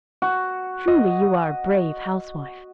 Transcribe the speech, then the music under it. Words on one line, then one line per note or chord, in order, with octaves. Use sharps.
Truly, you are a brave housewife!
F#4
D#5